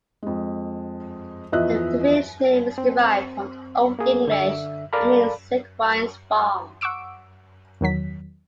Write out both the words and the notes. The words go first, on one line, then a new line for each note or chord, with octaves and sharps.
The village name is derived from Old English, and means 'Sigewine's farm'.
F2 G#3
E2 F3 D#5 E5 F#6
C4
A#3 G#4
D3 E5
A4 A#4 D5 F5 A5 B5
F#5 C#6 D6 E6 D7
E2 D#3 F#3 B6